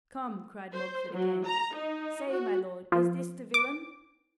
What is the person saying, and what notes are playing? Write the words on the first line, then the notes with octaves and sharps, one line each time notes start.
"Come," cried Mogford again; "say, my lord, is this the villain?"
C5
F#3
A#5
D#4
F#4
F3
D6